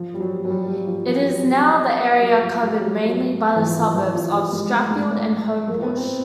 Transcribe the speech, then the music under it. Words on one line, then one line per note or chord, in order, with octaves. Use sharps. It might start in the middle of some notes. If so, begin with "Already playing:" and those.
It is now the area covered mainly by the suburbs of Strathfield and Homebush.
Already playing: F3
G3
F#3
F#3
G3
G3
F3
F3
G3
F#3
G3
F#3
F3
G3
F#3
F#3
E3
F3
E3
F3
G3
G#3
A3
G#3
A3
A#3
B3
C4